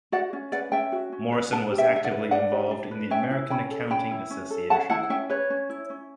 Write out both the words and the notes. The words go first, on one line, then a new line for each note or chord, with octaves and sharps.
Morrison was actively involved in the American Accounting Association.
F#4 D5 F#5
C#4
B4 D5 F#5
C#4 E5 G5
F#4
C#4
B4
D4 F#5 A5
G4
E5 G5
D4 E5
D5 F#5
B4
D4 D5 F#5
G4
D4
B4
C#4 E5 G5
E4
C#4 G5 B5
A4
C#4 G5 B5
E4
C#4
A4
C#4 F#5 A5
E4 F#5 A5
F#5
C#4 E5 G5
B4 C#5
C#4
E4
C#4